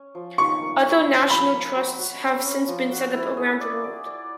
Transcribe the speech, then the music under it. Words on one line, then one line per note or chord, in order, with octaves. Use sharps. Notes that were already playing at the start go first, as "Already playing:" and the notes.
Other national trusts have since been set up around the world.
Already playing: C#4
F3
F3 C#6
A#3
C#4
C#4
F3 B5
A#3
F#4
F#4
C#4
C#4
F3
F#4
E4
G#4
D5
D5
D5